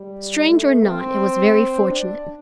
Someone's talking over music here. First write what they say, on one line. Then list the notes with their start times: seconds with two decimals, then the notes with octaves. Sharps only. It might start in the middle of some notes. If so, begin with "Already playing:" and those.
Strange or not, it was very fortunate.
Already playing: G3
0.49 A3
0.84 C4
1.88 D4